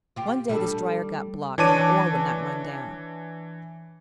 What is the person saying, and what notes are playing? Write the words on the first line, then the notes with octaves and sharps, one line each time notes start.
One day this drier got blocked, and the ore would not run down.
F4 G4
G3 D4 A4
E3 D4 C#5 A5 D6 D#7